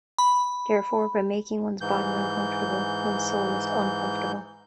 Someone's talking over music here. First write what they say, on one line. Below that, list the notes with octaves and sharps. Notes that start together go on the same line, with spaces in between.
Therefore, by making one's body uncomfortable, one's soul is uncomfortable.
B5
G#2 E3 G6